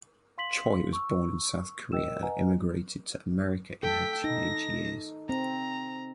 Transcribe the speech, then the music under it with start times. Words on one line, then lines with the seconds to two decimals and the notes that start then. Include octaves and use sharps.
Choi was born in South Korea and immigrated to America in her teenage years.
0.38 F5 C6 B6 F#7
0.93 C#6 E6
1.92 A#4 D#5 G5 E6 E7
2.22 B4 D#5 F#5 G#5 A#5
3.83 A4 G5 B6
4.24 D#4 A#6
5.29 C4 A#5